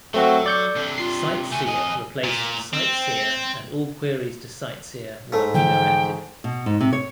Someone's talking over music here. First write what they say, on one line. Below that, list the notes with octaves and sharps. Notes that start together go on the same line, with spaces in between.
CiteSeer replaced CiteSeer and all queries to CiteSeer were redirected.
F#3 A3 C4 F#4 A4
D5 G6 C#7
C3 D4
F4 C7
A3 F#4 G#5
F2 D#5 G#5
A#2
C4
G#2 A3
D3 E3 F3 G5
B2
G#2
C3
C#5